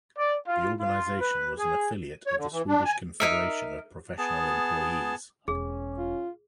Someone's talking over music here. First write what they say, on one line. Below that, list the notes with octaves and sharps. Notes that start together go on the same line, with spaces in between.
The organization was an affiliate of the Swedish Confederation of Professional Employees.
D5
F4
F4
B4
G#4
C#5
D3
E3
D4
G#5
D#4 A#4 E5
B3 G#4 A5
E1 C#4 G#4
F4